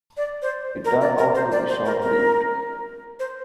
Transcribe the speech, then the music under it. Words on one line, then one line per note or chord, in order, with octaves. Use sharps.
It turned out to be short-lived.
D5
C5
A#4
D5
A#4
C5
D5
C5
A#4
A#4
C5